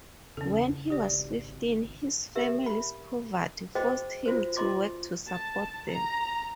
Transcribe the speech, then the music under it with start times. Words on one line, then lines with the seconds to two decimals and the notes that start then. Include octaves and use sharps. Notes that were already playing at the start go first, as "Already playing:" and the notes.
When he was fifteen, his family's poverty forced him to work to support them.
0.37 E2 C#3 C#4 A4
0.90 G#1 G4 D5
2.36 G4 A#4 E5
2.66 B5
3.75 F#4 G#4 C5 D#5 G5 D6
4.26 F4 F#4 C5
4.57 F4 D#5 C6 D6
5.27 A5
5.88 A#5